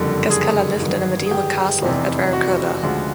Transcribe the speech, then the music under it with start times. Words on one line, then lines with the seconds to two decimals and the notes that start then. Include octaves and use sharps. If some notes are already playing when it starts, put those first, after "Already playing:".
Cascella lived in a medieval castle at Verrucola.
Already playing: F#1 F2 D3 G3
0.30 G#4
0.80 G1 G2 D#3 F#3
1.26 G#4
1.31 G4
1.82 F1 E2 C3
2.33 F#4
2.83 D2 C#3 F3 G#3